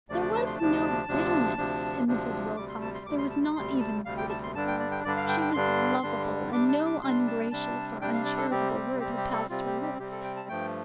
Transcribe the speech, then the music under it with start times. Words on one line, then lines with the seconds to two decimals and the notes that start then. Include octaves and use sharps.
There was no bitterness in Mrs. Wilcox; there was not even criticism; she was lovable, and no ungracious or uncharitable word had passed her lips.
0.09 D2 C3 F3 A3 D4 D5
0.22 D5
0.34 A5
0.46 C6
0.59 D2 C3 F3 D4 A5
1.08 D2 C3 F3 D4
1.57 D2 C3 F3 D4
2.07 D2 C3 F3 D4
2.57 D2 C3 G3 D6
2.69 C6
2.82 A5
2.94 C6
3.06 D2 C3 G3 D6
3.18 C6
3.30 A5
3.43 C6
3.56 D2 C3 G3 C6
3.80 A5
4.05 D2 C3 G3 F5
4.18 G5
4.29 A5
4.43 C6
4.54 G2 D3 G3 D4 A5
4.68 G5
4.79 D5
4.91 G5
5.04 G2 D3 G3 D4 D5
5.17 F5
5.29 G5
5.41 G5
5.54 G2 D3 G3 D4 C6
6.03 G2 D3 G3 D4
6.53 C3 G3 D4 D6
6.69 A5
6.86 D6
7.02 C3 G3 D4 C6
7.27 A5
7.51 C3 G3 D4 A5
8.01 C3 G3 D4 G5
8.13 F5
8.25 D5
8.38 A4
8.50 C3 G3 C4 G4
8.75 G4
9.00 C3 G3 C4 G4
9.17 G4
9.33 A4
9.49 C3 G3 C4 F4
9.66 G4
9.83 G4
9.98 C3 G3 C4 G4
10.12 A4
10.24 G5
10.36 A5
10.48 G2 F3 A3 G5